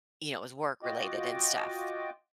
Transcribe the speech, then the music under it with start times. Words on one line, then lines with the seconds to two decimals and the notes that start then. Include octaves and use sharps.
you know, it was work-related and stuff.
0.83 F4 F#4 D#5 G5 D6